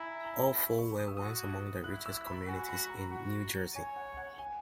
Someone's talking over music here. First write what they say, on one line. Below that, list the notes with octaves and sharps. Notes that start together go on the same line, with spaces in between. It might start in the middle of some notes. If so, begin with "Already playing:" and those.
All four were once among the richest communities in New Jersey.
Already playing: E4 G#5 A#5
A#5
B5
C#6
D#6
E6
F#4 D#6
E4 F#6
E6
B5
F#4 G#5
C#6
B5
A#5
F#4
C#5 G#5
F#5
F#5
G#5